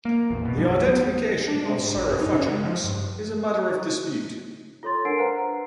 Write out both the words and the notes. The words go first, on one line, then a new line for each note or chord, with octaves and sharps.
The identification of "Saurophaganax" is a matter of dispute.
A#3
A#1 E2
B2
B1 F#2 F3 G3
B3
D4
G#3
G#2
A1
F#2
D#4
C#3
G#3
F3
G2
F4 A4 C#5 C6 A6
D4 A#4 F#5 C7 D7
B4 C5 F5 F#5 A#5